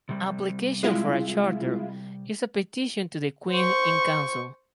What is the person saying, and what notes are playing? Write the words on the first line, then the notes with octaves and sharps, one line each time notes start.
Application for a charter is a petition to the Queen-in-Council.
C3 G3
G#3 E4 F4
C5 C#6